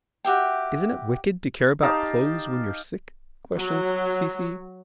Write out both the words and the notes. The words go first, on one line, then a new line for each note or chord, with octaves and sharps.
"Isn't it wicked to care about clothes when you're sick?" questioned Cecy.
F#4 G4 E5 G5
D#4 G4 F5 A5
F#3